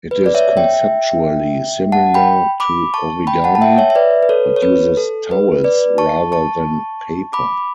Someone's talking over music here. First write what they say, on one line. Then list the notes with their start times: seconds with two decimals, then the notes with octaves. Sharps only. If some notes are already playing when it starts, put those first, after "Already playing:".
It is conceptually similar to origami, but uses towels rather than paper.
0.11 B4
0.26 D5
0.35 C#5 E5
0.57 E5 G5
1.92 F#5 A5
2.14 G5 B5
2.60 B5 D6
2.94 A5 C#6
3.27 G5 B5
3.44 F#5 A5
3.55 A5
3.61 E5 G5
3.78 C#5 E5
3.90 E5
3.95 B4 D5
4.23 B4
4.29 A4 C#5
4.56 C#5
4.62 B4
4.97 A4
5.31 B4
5.64 B4 D5
5.98 A5 C#6
6.32 A5 C#6
7.33 B5 D6